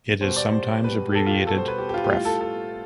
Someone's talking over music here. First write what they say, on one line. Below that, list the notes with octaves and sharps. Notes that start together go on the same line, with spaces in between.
It is sometimes abbreviated "pref".
B2 G3 C5
D5
C5
B2 G3 B4
G4
A4
F4
G4
B2 G3 A4
C5
B4
G4
G4
F4
G4
A2 G3 F4
A4
A4